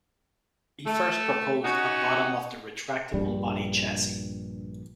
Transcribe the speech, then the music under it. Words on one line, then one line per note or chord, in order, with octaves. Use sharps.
He first proposed a "bottom of the retractable body" chassis.
A3
C#4 D#4 F#4
A#1 G2 G3